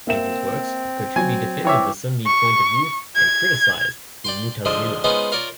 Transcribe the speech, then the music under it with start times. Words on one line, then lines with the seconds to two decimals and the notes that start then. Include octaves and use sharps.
In his works, Qurtubi defended the Sunni point of view and criticized the Mu'tazilah.
0.07 A#3 C4 E5 E7
1.16 F#3 G#5
1.65 E3 C#5 E5 G5 D6
2.27 C#6
3.16 G#6
4.25 D5 G5 C6
4.65 G#2 D3 F3 G#3 F4
5.04 G#3 B3 C#4 D#4 F4 C5
5.32 F4 A#4 C#5 D5